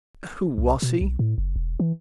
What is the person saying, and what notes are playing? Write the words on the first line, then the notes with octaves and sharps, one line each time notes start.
"Who was he?"
C2
B2
B1
A2
F#1
E1
E3